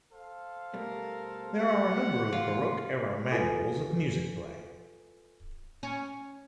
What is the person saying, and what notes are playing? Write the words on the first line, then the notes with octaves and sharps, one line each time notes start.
There are a number of Baroque-era manuals of music playing.
A4 C5 F5
B2 G3 A3 A#4
G4 F#5
D#2 E3 F4
E4 F4 A4 B4 G#5
C#4